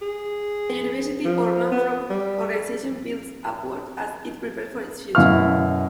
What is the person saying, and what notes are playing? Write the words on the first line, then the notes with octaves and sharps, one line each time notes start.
A university or non-profit organization builds upward as it prepares for its future.
G#4
F3
B3
G3
F#2 B2 E4 F5 C#6 F6